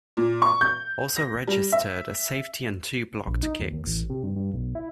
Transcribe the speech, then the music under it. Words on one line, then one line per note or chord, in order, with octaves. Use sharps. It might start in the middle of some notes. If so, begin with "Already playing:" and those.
Also registered a safety and two blocked kicks.
A#2
C#6
G6
A#6
G3
E5
A#1
D#4
D#2
D#2
A1
C3
G2
G2
B1
E4